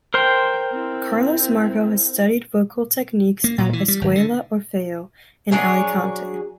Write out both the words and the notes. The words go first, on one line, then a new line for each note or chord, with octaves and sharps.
Carlos Marco has studied vocal techniques at "Escuela Orfeo" in Alicante.
A#4 C5 G5 C6
C4 E4
A#3
A#2
E3
G3
G#1
D3
F#3 D4 G#4 C#5